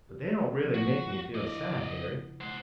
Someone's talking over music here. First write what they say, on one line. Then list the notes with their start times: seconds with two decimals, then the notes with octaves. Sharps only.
But they don't really make me feel sad, Harry.
0.09 D3 G4
0.57 F3 B3
0.74 F4 F#4
1.35 D4 E4 D5 D#5
1.58 C#3 B4 F#5
2.41 C5 F#5